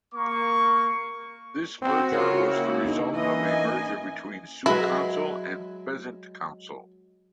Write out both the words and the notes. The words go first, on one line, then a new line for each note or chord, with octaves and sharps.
This merger was the result of a merger between Sioux Council and Pheasant Council.
A#3 C#6
C4 F#4
C#3 F4 A#4 C#5
A#3 E4
D4 D#4 G#4
E3 A#3 C#4 D#5
G#5
F#3 G#3 E4 B4